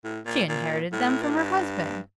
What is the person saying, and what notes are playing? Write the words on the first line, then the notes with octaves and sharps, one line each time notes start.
She inherited them from her husband.
A2
A#2
A#2
A2
A#2
A2
G2